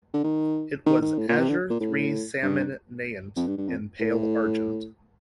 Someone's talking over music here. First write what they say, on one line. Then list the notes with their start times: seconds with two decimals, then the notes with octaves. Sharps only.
It was "Azure three salmon naiant in pale argent".
0.14 D3
0.24 D#3
0.86 D#3
1.02 D#3
1.18 A2
1.29 A#2
1.39 C3
1.49 D3
1.70 A#2
1.80 A2
2.43 G2
3.37 F2
3.47 G2
3.58 G2
3.68 F2
4.00 A2